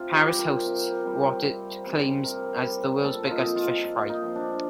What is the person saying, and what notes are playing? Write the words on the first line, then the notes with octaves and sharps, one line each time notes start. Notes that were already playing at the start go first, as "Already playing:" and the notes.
Paris hosts what it claims as the "World's Biggest Fish Fry".
Already playing: C3 F4
G4
G3 C4
A#4
C3
G3 C4
C3
G3 C4
C3 A#4
G3 C4
A#2 A4
F4
D#4
F3 C4
F4
A#2
D#4
F3 C4
D4